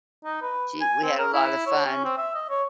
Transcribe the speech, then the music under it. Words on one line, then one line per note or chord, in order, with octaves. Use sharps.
She we had a lotta fun.
D#4
B4
G#5
C4
A#4
E4
C#5
C#4
C4
E5
D#5
C#5